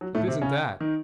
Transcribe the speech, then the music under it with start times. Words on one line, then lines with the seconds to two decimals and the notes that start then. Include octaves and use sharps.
"It isn't that."
0.01 F#3
0.15 A2 A3
0.27 C3 C4
0.41 C#3 C#4
0.80 D#3 D#4